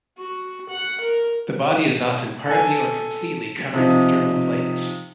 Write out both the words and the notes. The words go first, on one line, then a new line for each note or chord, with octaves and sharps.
The body is often partly or completely covered with dermal plates.
F#4
F#5
A#4
A4 G#5
C3 F3 D#4